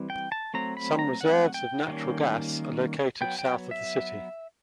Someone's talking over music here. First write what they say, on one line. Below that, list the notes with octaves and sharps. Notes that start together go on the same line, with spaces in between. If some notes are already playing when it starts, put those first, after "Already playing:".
Some reserves of natural gas are located south of the city.
Already playing: E3 G3 C4
G5
A5
F#3 A3 C4 A#5
B5
A#5
F#5
G5
D#3 G3 A#3 C#4
F#3 B3 G5
G5
E5